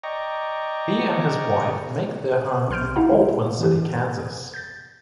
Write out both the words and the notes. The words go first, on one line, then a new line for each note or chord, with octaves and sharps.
He and his wife make their home in Baldwin City, Kansas.
D5 D#5 G5 A#5 C#6
B1 C6 F6 G6 D7
D#4 E4 F5 F#5 A#5
G#3 B4
D3 E3 G4
G6 A6